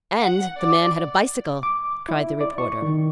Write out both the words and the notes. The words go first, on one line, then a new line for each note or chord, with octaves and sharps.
"And the man had a bicycle!" cried the reporter.
F#5
D5
D6
E4
D5
C#6
D#3